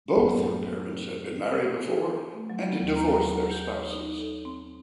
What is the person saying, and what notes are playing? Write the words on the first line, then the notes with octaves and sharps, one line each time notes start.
Both her parents had been married before and had divorced their spouses.
F#2 A2
A3
F#3
B3
D#2
A#5
F#3
F#5
G6
C#5
D#4
A4
C4